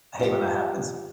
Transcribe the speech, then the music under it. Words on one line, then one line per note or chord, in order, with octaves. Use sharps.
I hate when that happens.
F4 G4